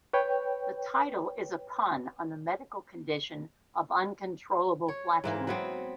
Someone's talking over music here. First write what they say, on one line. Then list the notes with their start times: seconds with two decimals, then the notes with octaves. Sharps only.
The title is a pun on the medical condition of uncontrollable flatulence.
0.13 B4 C#5 G5
4.88 C#5
5.24 G#2 E3 A#3
5.47 F#3 B3 C4